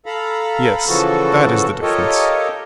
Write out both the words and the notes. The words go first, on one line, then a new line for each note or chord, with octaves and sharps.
Yes, that is the difference.
A4 F5 A#5 B5
C#3 E3 F3 F#4 A4
F4 G4 A4 A#4 C#5 D#5